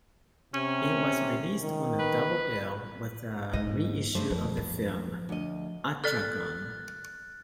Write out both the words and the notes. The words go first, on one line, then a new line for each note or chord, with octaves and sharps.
It was released on a double bill with a reissue of the film "Atragon".
C3 C#4
D#3
B4
G#2 D#5
G2 A3 C5
F2 D3 G3
F3
D2 D#5
A4 D5 F6 F#6 A6